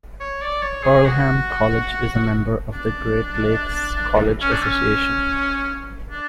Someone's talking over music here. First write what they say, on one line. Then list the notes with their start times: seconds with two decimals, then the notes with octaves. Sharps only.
Earlham College is a member of the Great Lakes Colleges Association.
0.20 C#5
0.42 D5
0.63 C#5
0.84 G#4
1.06 F#4
2.74 D4
4.41 C#4
4.52 D4
4.62 C#4
6.11 D4